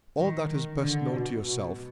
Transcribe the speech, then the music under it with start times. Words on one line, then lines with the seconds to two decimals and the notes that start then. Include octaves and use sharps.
All that is best known to yourself.
0.17 D#3
0.49 D#3
0.80 D3
1.11 B2
1.42 B2